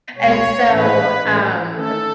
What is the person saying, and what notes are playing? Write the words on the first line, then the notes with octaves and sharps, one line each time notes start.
And so, um,
B2 G#3 B3 C#5
A2 E3 A3 C#4 B4
A2 E3 A3 C#4
D#3 A3 C#4 A4